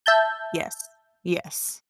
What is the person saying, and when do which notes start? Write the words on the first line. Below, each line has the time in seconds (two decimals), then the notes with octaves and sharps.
Yes. Yes.
0.06 E5 A5 G6